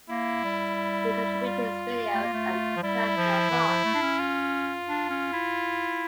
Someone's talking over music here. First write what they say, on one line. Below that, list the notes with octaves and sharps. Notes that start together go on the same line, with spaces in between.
He contributed his videos and personal thoughts.
A#3 E4
G3
F4
A3
A#3
A3
F3
G3 E4
F3
E3
F3
A3
D4
C#4
F4
D4
C#4
E4